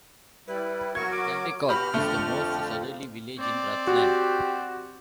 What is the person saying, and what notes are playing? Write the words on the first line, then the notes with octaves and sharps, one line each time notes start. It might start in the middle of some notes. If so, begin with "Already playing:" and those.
Caldecott is the most southerly village in Rutland.
G3 E4 B4
F#3 F#4 A#4 C#6 G#6
D6
B2 F#4 G4 B5 F6
F2 D3 F3 A3
C4 D5
F#4 G4